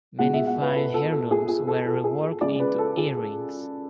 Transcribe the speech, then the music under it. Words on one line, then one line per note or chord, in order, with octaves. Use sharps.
Many fine heirlooms were reworked into earrings.
B2 G#3 F#5
E5
F#5
B4
A4
A4
A4
G#4
G#4
A4
A4
G#4
C#3 G#3 D5
B4
A4
G#4